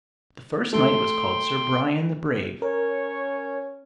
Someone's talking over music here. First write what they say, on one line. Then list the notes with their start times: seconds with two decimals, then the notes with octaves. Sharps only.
The first knight was called Sir Brian the Brave.
0.73 A3 G5 C6
2.62 C#4 A#4 C#5